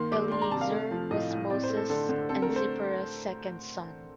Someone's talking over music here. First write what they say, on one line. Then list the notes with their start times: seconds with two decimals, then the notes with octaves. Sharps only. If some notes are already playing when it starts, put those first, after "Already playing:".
Eliezer was Moses and Zipporah's second son.
Already playing: D#3 A#3 C6
0.11 G3 D6
0.31 D4 C6
0.42 A#5
0.51 C3 A5
0.61 F5
0.71 A3
0.91 F3
1.10 A2 D#5
1.30 A2
1.50 C4 D5
1.64 C5
1.70 A3
1.77 A4
1.89 D3 A4
2.09 D3
2.29 C4 A4
2.42 A#4
2.49 A3
2.56 C5